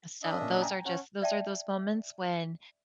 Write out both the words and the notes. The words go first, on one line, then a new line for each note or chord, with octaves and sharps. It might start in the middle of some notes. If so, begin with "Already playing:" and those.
So those are just those are those moments when
D4 D#5 E5
A#2 A#3 C#4
G5 G#5 A#5
C#4 F#5 A5
D5 E5 G5 A5